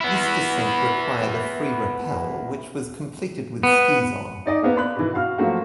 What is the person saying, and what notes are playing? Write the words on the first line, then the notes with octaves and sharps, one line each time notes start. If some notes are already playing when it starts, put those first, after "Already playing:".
This descent required a free rappel, which was completed with skis on.
B3 E4
B3
D#4 D5 D#5
A#3 B3 B4
D5 B5 F#6
B2 E3
F#4 F5 F6
F3 F#3 A3 A#3 F#4